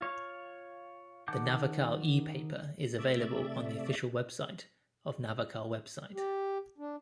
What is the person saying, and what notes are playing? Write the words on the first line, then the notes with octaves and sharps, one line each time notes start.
The Navakal ePaper is available on the official website of Navakal website.
F4 C#5 F5
D#3 F#5 A5 D6 G6
C3 A3 D5 E5
G4
D4